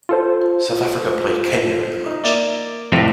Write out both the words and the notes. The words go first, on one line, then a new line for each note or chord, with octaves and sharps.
South Africa played Kenya in the match.
F4 A4 C5
D#4
A#3 D5 E5
F2 A2 C3